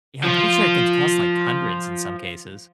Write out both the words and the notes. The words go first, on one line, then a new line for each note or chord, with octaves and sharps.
Yeah, I'm pretty sure it can cost like hundreds in some cases.
F3 F4